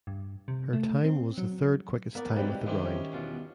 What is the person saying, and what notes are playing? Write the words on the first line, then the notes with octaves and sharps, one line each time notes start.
Her time was the third quickest time of the round.
G2
C3
A3
C4
F#3
B3 A#4 D5
C2 G#2 F3 F#3 C4 G4 B4 D5
F#2 D3 D#3 G3 E4 G4 C5
C#4
E2 B2 F4